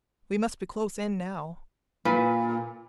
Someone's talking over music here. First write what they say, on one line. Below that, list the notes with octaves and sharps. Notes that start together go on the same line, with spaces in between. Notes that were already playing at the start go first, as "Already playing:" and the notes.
We must be close in now!
A#2 B4